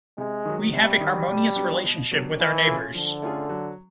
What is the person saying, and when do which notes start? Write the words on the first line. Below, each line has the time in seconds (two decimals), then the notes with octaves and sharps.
We have a harmonious relationship with our neighbours.
0.18 C3 G#3
0.45 D#3 F#3
0.73 C3 G3
1.00 D#3 F#3
1.28 B2
1.56 F#3 B3 D4 G4
1.84 B2
2.12 F#3 B3 D4 G4
2.39 E3 F3
2.66 A3 C#4 F4 G#4
2.94 D3 F3
3.22 A3 C#4 F4 G#4
3.49 F#3